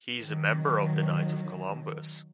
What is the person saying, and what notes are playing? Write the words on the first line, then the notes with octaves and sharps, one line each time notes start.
He is a member of the Knights of Columbus.
D#3 F#3